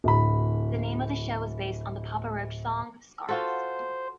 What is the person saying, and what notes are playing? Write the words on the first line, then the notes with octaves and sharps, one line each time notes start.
The name of the show was based on the Papa Roach song "Scars".
D1 B5
F4 F#4 A4 C5